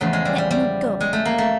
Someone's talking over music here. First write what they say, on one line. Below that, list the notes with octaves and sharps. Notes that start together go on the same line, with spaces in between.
"Let me go."
E2 C#3 F3 A3
G#3
G3
G3
G3
G#3
A3
A#3
A3